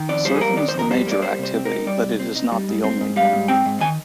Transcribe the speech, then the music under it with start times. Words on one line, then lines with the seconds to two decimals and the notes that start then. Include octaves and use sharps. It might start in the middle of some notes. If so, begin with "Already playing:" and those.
Surfing is the major activity but it is not the only one.
Already playing: D#3
0.09 F2 D5
0.25 G3 C5
0.36 G#4
0.41 A#3 A#4
0.57 D#3 D5
0.68 C5
0.74 F2 A#4
0.90 G3 C5
1.07 A#3
1.12 D5
1.22 G3 C5
1.39 C3 C5
1.55 C4
1.65 A#4
1.71 D#4
1.86 G3 D5
2.03 C3
2.20 C4
2.35 D#4
2.52 G3
2.68 G#2
2.84 C4
3.01 G#2
3.16 G3 F5
3.33 G#2
3.48 C4 G5
3.65 G#2
3.81 D#3 G#5